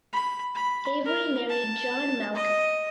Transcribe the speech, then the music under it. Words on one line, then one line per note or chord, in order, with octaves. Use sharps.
Avery married John Malcolm.
B5
B5
A#4
A5
D#5